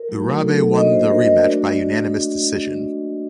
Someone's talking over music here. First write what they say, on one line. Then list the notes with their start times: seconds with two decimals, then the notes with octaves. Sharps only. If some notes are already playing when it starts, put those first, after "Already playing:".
Urabe won the rematch by unanimous decision.
Already playing: A#4
0.09 F#3 A3 D#4 F#4
0.42 F#3 A3 D#4 F#4 A4
0.74 A#3 D4 F#4 D#5
0.91 C5
1.07 A#3 D4 F#4 A#4
1.24 D#5
1.40 A3 D4 F#4 D5
1.57 D5